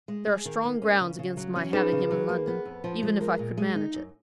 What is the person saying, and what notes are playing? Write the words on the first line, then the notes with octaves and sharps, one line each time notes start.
There are strong grounds against my having him in London, even if I could manage it.
G#3
G#4
D#3
A#3
C#4
C#3
C#3
F#3
C#4
D#4 G#4 B4
C#3
F#3
A#3
B3
F2
F3
G#3
A#4
A#2
G#3
D#4
F#2